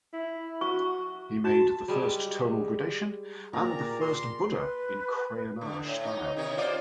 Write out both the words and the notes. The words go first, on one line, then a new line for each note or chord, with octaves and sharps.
He made the first tonal gradation, and the first Buddha in crayonnage style.
E4
F#4 C#6
F#4 A5
G3 G#3
A#2 G4 G#4 A#4 D5 A#5
C6
B4
D3
A2
D#4
C3 D#3 C#5
F4 C5 D5